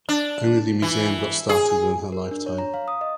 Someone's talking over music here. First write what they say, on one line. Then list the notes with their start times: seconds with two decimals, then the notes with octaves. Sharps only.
Only the museum got started within her lifetime.
0.09 D4
0.82 E3
1.49 G#4
2.12 A#4
2.31 D4
2.46 C#5
2.58 A#5
2.74 F5
2.88 D#6
3.01 D#5